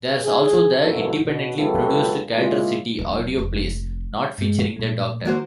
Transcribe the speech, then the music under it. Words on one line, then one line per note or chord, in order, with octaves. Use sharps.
There's also the independently produced "Kaldor City" audio plays, not featuring the Doctor.
G#4
C2 F#2 B2 E3 A#3 A4
B2
C#2 F#2 B3 F4 G4 A4
C#3 G#3 A#3 E4 F4
D1
F1
G2 G#3
A#2 A3
D#3 A#3 F#4 C5